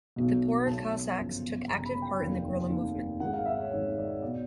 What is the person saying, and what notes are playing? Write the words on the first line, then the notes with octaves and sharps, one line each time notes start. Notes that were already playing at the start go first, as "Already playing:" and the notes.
The poorer Cossacks took active part in the guerrilla movement.
B1 B2
B1 B2 A5
G1 F#2 C#3 F3
G1 F#2 C#3 F3 A#5
B5
G5
F1 D#2 D#3
F1 D#2 D#3
G#1 G#2 D#3 F#5
F5
E5
C#5
G#1 G#2 D#3 C#5
C#5
D5
C#5
B2 D5